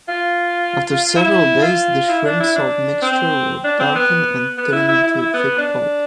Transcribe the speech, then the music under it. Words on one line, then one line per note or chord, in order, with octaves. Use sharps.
After several days, the shrimp-salt mixture will darken and turn into a thick pulp.
F4
E4
F4
E4
D4
E4
D4
C4
D4
C4
B3
B3
E4
E4
E4
E4
B3
D4